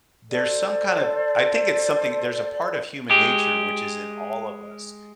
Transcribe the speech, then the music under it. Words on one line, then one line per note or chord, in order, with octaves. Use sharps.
There's some kind of I think it's something there's a part of human nature which is in all of us,
A4 C5 D5
G#3 G4